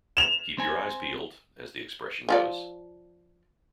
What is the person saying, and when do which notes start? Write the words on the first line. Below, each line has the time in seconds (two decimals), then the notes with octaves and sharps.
"Keep your eyes peeled", as the expression goes.
0.17 E7 F7
0.58 C4 G#5
2.29 F3 F4 D5